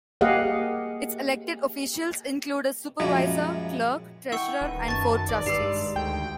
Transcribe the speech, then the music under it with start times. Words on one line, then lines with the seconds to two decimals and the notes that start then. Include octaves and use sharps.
Its elected officials include a Supervisor, Clerk, Treasurer and four trustees.
0.21 A#3 G4 G#4 D#5 F5 F#5
3.00 F#2 A#2 F3 G3 G#3 E4
4.32 E4 F#5 G5 C#6 E6
4.61 D#1 D#3 B4
4.88 F#2 A5 C#6 A6
5.29 A1 D5
5.46 G2 D#3 G#3 G4 E6 C7
5.96 D2 G5